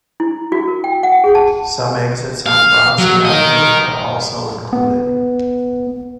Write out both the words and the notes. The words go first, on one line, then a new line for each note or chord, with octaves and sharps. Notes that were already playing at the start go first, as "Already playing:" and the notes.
Some exits on Bronson Avenue are also included.
E4
F#4
A#4
G5
F#5
G#4
A5
F5
F#3
A#4 D#5
B3